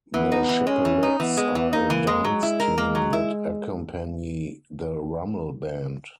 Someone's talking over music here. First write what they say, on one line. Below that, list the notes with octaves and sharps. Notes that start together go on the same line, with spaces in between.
The Chapellettes are a dance team that accompany the Rummel Band.
E3 B3
D#4
E3
G#3 C#4
E3
D#4
E3 B3
G#3
E3
A#3 D#4
E3
G#3
F#3 G#3
E4
A#4
G#3 A#3
F#3
E4